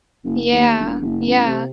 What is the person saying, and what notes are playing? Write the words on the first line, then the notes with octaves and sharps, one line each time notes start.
Yeah. Yeah.
F#1
D#2
E1
F#1
A1
C3